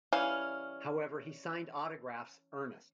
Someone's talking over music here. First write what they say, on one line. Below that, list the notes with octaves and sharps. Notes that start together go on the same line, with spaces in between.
However he signed autographs Ernest.
E3 G3 C#4 F5